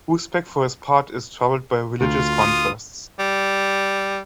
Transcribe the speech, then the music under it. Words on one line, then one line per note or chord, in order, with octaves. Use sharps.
Usbek for his part is troubled by religious contrasts.
D2 F4
D#6
G3